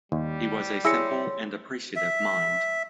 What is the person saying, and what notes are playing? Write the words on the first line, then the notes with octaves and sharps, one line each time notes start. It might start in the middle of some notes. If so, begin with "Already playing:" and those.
His was a simple and appreciative mind.
D#2 G3
E4 G#4 C#5 C6 E6 A#6 C#7
E5